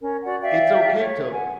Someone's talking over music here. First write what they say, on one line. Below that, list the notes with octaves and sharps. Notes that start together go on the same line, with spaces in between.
it's okay to l
C#4 A#4
F#4 D5 F#5
D5 E5 F5 G5
C#5
F#5 G#5